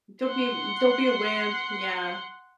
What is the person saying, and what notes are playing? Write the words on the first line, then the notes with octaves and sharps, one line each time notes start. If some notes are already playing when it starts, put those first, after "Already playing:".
Don't be m don't be a wimp, yeah.
F#5 C6